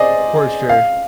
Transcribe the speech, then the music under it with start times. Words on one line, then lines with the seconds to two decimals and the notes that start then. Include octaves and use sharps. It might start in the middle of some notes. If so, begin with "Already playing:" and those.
For sure.
Already playing: G#4 C5 D5 D#5
0.69 F5